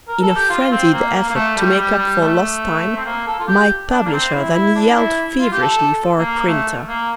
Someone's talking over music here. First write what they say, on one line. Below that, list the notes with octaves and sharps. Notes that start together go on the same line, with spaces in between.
In a frenzied effort to make up for lost time my publisher then yelled feverishly for a printer.
A#4
A4
G4
F4
C4
A#3
A#3
A#3
A3
G3
G3
G3
A3
C4
A#3
A4
F4
G4
D4
A#3
C4
E4
E4
D4
E4
F4
G4
A4
A#3
A3
A#3